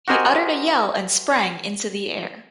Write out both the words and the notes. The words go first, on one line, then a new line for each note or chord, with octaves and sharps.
He uttered a yell and sprang into the air.
F#4 G4 A#4 C5 D#5 G#5